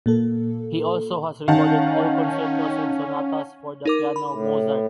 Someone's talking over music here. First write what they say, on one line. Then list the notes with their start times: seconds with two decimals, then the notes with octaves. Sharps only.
He also has recorded all concertos and sonatas for the piano of Mozart.
0.06 A#2 A#3 A4
1.48 D#3 C#4 F5 F#5 A5
3.85 D#4 A#4 D6
4.16 B5
4.30 A2